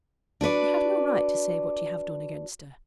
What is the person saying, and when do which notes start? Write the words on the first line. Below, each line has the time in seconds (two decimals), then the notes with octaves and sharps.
You have no right to say what you have done against her.'
0.41 D4 F#4 B4 D5